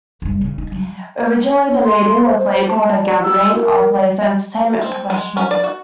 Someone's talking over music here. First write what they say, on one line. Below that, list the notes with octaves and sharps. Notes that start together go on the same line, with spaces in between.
Originally, the meeting was labeled a gathering of Laser Entertainment Professionals.
F1 G2
C#3
D#4
F#3
C#5
C#5
C6
C5
C5
C5
A5
A5
D5
E6
A#4
D5
C4
G#3
C#4
D5
F#4